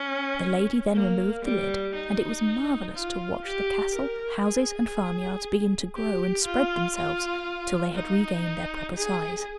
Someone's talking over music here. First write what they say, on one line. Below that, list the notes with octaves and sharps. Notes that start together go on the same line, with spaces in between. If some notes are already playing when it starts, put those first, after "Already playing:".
The lady then removed the lid, and it was marvellous to watch the castle, houses, and farmyards begin to grow and spread themselves till they had regained their proper size.
Already playing: C#4
A#3
G3
D#4
F4
G4
A#4
G#4
G4
F4
F4
D#4
G#4